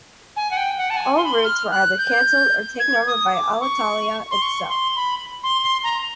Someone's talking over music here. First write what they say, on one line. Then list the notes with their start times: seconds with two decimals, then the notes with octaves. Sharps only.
All routes were either cancelled or taken over by Alitalia itself.
0.37 G#5
0.51 F#5
0.57 G5
0.77 F#5
0.90 A5
0.97 G#5
1.17 C6
1.24 B5
1.32 C6
1.44 F6
1.72 F#6
1.98 G6
2.80 G#6
3.07 D#6
3.34 D6
3.61 C#6
4.31 C6
4.42 C#6
4.69 C6
4.96 B5
5.43 C6
5.63 C6
5.84 A#5